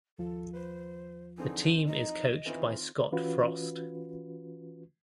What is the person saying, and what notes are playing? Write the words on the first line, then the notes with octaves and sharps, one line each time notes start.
The team is coached by Scott Frost.
D#2 F3 F4 A4
B4 C5
D3 E3 C4 D#4 G#4
D#4 D#5
D#3 E3 C4 F4
E3 C#4 F4 F#4 B4